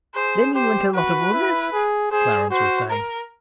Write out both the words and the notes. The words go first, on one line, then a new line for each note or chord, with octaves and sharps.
"Then in went a lot of others," Clarence was saying.
G#4 C5
G4 C5
F#4 B4
E4
G#4
G#4 C5
F#4 C5
A#4